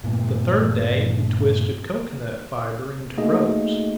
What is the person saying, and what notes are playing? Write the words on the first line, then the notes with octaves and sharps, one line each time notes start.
The third day he twisted cocoanut fiber into ropes.
G2 A#2 A3 B3
A3 A#3 D#4 F#4 G#4 D#5